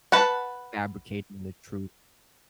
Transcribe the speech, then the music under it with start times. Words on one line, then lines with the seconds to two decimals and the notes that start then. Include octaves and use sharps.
fabricating the truth
0.12 B4 F#5 A5